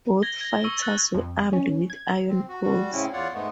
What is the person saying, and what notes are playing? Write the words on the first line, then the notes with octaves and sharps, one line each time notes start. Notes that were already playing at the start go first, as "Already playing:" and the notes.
Both fighters were armed with iron poles.
G#6 A#6 G7
G#6 A#6
C#6 E6
F#6 A6
F2
C#4
G#6
C4
F#4
G3 F#4
A2 C#3 C4 C#4 E4
E2 F4 C#5 D5 F#5
G#2 G#3 A3 B3